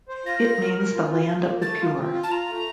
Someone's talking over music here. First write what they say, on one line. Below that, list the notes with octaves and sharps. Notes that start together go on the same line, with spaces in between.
It means the land of the Pure.
C5
F4 A#6
F4
A#4
A#4
F4
F4
F4
A#3
A3 A6
F4
C4
F4
A5
F4 A#5
A3